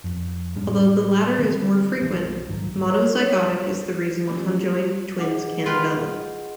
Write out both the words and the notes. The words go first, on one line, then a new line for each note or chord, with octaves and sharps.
Although the latter is more frequent, monozygotic is the reason conjoined twins can develop.
F2
A2 G3 C#4
D3 E3 C4
B1 E3 B3 D4
C2 G#2 D#3 F#3
C#5
F3 F#3 A3 C#4 F4 G4
D4 G#4 D#5 F#5 D6
F4 B4 G5